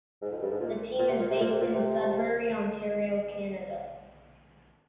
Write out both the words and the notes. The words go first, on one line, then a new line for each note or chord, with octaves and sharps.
The team is based in Sudbury, Ontario, Canada.
G#2
F2
G2
G#2
A#2
A#2
C3
A#2
C3
A#2
C3
A#2
C3